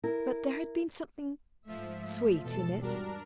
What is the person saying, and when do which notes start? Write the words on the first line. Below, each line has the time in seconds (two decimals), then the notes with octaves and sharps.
But there had been something sweet in it.
0.04 E4 A#4
1.68 G#2 F3 A3 E5
2.44 E2 G#2 B2 A4 A5
2.81 G3 D4 F#4 A#4